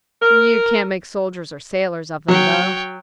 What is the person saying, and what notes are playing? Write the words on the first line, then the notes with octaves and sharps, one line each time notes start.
"You can't make soldiers or sailors of them, though."
A#4
F#3 C#5 G5